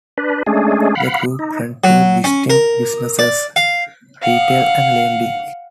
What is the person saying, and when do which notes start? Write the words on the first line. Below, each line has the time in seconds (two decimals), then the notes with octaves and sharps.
The group ran two distinct businesses: retail and lending.
0.18 D4 B4
0.46 G#3 A3 C#4 D4 G#4
0.95 F5 F#5 B5
1.39 D#4
1.84 F#3
2.24 C#4
2.50 A#4
3.19 D5
3.56 F5
4.22 F5 F#5